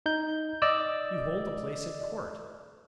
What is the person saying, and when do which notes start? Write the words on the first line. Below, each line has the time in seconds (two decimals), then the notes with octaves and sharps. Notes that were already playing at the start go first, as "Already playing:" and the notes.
You hold a place at court.
0.06 D#4 G6
0.62 D5 D#5 E6